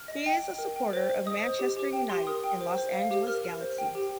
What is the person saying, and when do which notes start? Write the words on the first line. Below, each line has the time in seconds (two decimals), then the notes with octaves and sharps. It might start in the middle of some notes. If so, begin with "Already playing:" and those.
He is a supporter of Manchester United and Los Angeles Galaxy.
Already playing: F6
0.08 D#5
0.26 G5
0.43 G5
0.59 A#4
0.76 G5
0.93 C5
1.10 C5
1.26 D#5 D#6
1.44 C5
1.59 G4
1.77 G4
1.93 G5
2.10 G4 C6
2.27 A#4 D#6
2.44 G5
2.61 C5
2.78 C5
2.94 F5
3.11 G4
3.27 A#4 F6
3.45 A#4
3.61 C5
3.78 G5
3.95 G4